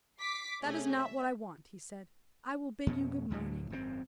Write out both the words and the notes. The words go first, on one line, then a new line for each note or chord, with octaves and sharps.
'That is not what I want,' he said, 'I will bid you good morning.'
D6 B6 C7
C3 A3 C#4 G#4
E5
F2 B2 C#4
D2 A2 D3 F#3
G#1 F#2 A#2 C4